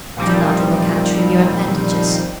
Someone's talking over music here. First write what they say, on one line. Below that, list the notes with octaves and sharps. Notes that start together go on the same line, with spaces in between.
Do not look at trivial advantages.
A#2 D#3 F3 G3 C4 D#4